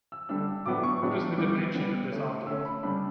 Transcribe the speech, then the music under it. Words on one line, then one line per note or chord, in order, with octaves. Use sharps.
What is the dimension of this object?
E6
D3 G3 D4 E6
A2 F#3 B3 D4 D6
C#6
A2 F#3 B3 D4 C#6
E3 G3 B3 D6
E3 G3 B3
D3 A3 C#4
D3 A3 C#4 E6
B5
C#3 G3 D4 B5